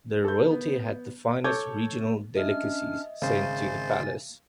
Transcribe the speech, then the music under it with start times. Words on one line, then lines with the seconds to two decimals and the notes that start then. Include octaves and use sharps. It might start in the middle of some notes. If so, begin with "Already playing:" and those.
The royalty had the finest regional delicacies sent to the palace.
0.24 A4 G6
0.51 B3
1.44 A4 C#5 A5 D6 G6 G#6
2.37 C#4 D4 D#5 E5 F6
3.22 G#1 C#3 C5 G#5 A6